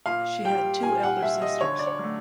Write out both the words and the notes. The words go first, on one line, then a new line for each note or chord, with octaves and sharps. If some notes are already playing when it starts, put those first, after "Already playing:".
She had two elder sisters.
A#2 F5
G3 G5
A#2 G#5
F#5
G3 E5
D#5
D3 C#5
D5
C#5
F#3 A3